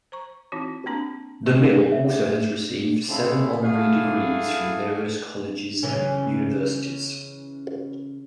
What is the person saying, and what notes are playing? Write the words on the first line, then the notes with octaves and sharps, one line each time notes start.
De Mille also has received seven honorary degrees from various colleges and universities.
C5 A#5 C#6
E3 C4 D#4 E4 F#4
A#3 C4 D4 A#5
D#3 G3 C4 F4 G#4 D#5
E5
C#3 G#3 C4 E4 A4
E4 F#4 G#4 A4 F5
C#3 E3 C#4